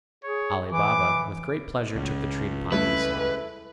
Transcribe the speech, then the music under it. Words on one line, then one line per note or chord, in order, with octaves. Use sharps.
Ali Baba with great pleasure took the treat upon himself.
G#4 C#5
E3 D6
C#2
G3 A3 C#4 E4 A4 B4